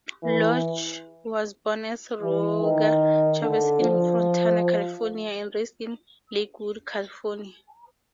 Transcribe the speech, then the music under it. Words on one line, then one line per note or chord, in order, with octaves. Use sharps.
Lodge was born as Roger Chavez in Fontana, California and raised in Lakewood, California.
E3
E3
D#3
D3
F3